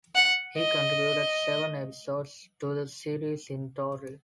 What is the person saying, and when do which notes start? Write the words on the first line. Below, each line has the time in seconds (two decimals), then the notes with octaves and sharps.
He contributed seven episodes to the series in total.
0.15 F#5
0.58 D#5